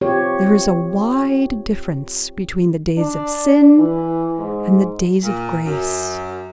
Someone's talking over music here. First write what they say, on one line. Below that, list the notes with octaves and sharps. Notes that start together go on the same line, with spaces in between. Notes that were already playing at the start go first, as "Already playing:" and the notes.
There is a wide difference between the days of sin and the days of grace.
C4 F4 G4 C#5
D4
E3
G#2
A#2
F#2